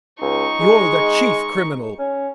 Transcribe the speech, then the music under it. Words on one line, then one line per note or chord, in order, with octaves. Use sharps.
You're the chief criminal!
C#2 D#4 C#6
G#3
C#4